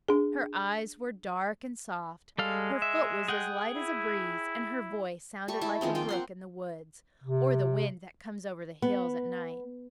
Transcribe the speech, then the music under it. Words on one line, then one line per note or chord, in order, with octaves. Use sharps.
Her eyes were dark and soft, her foot was as light as a breeze, and her voice sounded like a brook in the woods, or the wind that comes over the hills at night.
D4 G#4
G3 G#3 A4 F5
E5
G#4 F#5 G5
E4
G3 A3 C#6
E4 A4 A5
D#3 F3 G#3 C4
A#3 F4 G5
C4 F#5 C6
C3
B3